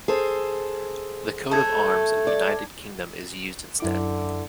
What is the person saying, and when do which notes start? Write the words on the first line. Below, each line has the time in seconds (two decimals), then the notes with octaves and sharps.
The coat of arms of the United Kingdom is used instead.
0.08 G#4 A4 C5
1.51 A3 A5 G#6
2.27 D5
3.80 F#2 D3 E4 D6